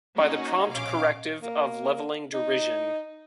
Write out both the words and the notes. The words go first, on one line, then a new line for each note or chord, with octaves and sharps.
By the prompt corrective of levelling derision.
A#3 C#4 D#4 F#4
A#1 B2 C#4 F5 D6
A#3
D#4